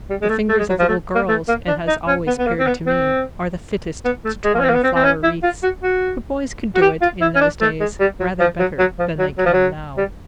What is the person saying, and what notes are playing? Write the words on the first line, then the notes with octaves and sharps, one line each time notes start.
The fingers of little girls, it has always appeared to me, are the fittest to twine flower wreaths; but boys could do it, in those days, rather better than they can now.
G3
G#3
A3
A3
G#3
F#3
F3
A3
A#3
A3
A#3
D4
D#4
C#4
B3
B3
A#3
C4
B3
C4
B3
A3
G#3
A#3
C#4
C4
A#3
B3
C4
C4
C#4
E4
F4
F#4
F#4
F#4
G4
F4
E4
C#4
D4
A3
G#3
G3
F#3
F3
F#3
F#3
F3
F#3
F#3
F3
F#3
G3